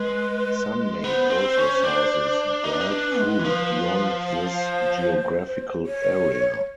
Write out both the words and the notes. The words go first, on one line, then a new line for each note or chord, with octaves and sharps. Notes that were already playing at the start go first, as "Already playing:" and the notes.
Sun-Maid also sources dried fruit beyond this geographical area.
Already playing: G#3 B4
B3 C5
C4
C#4
D4
D#4 B4
D4
D#4
D4
G#3
E3
F3
C5
C#5